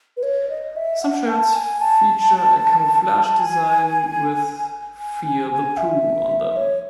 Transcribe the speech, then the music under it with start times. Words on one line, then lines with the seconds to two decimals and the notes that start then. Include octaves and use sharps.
Some shirts feature a camouflage design with "Fear the Poo" on them.
0.17 B4
0.23 C#5
0.49 D#5
0.76 E5
1.02 F#5
1.29 A5
1.55 G#5
1.81 A5
3.39 G#5
4.98 G#5
5.25 G#5
5.51 G#5
5.77 E5
6.56 C#5